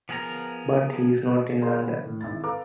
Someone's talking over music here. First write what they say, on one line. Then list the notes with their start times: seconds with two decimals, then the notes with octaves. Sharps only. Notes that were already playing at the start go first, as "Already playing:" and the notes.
But he's not in London?
0.09 F3 B3 G#4 A#4 A#5
1.61 G#4 A#4 C#5 F5 C6
1.82 F#5 B5
2.04 A2
2.21 G#1 E4 A6
2.43 A4 B4 F5 A#5 D6 F6